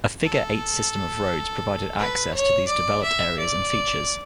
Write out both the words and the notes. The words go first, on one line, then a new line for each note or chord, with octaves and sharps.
A figure-eight system of roads provided access to these developed areas and features.
A4
B4
C#5
D5
E5
D5